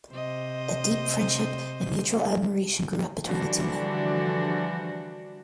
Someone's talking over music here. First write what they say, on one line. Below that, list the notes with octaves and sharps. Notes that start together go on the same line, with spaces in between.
A deep friendship and mutual admiration grew up between the two men.
C3 C5 D#5
D3 E3 F3 G3 D4 F#4